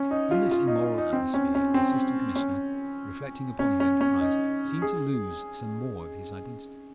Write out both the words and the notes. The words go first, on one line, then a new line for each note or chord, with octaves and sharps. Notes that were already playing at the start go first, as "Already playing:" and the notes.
In this immoral atmosphere the Assistant Commissioner, reflecting upon his enterprise, seemed to lose some more of his identity.
Already playing: C#4
D#4
F4
F4
D#4
D#4
C4
C#4
C#4
C4
C#4
C#4
C#4
C#4
D#4
G#4